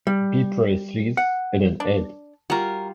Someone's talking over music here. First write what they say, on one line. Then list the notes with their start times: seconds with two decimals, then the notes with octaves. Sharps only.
B. Priestley's "Eden End".
0.07 G3
1.17 F#5
1.80 D4
2.50 G3 F4 F#4 A#4